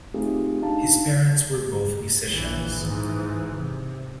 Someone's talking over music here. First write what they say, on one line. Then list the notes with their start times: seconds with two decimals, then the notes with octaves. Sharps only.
His parents were both musicians.
0.14 A3 C4 D#4 F4 G4 G#4
0.61 D4 D#4 F5 A5
2.28 A#1 E3
2.80 G#2 E3
3.56 C3